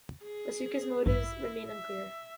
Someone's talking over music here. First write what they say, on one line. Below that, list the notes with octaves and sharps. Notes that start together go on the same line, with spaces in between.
Matuska's motives remain unclear.
G#4
A1 G2 E4
E5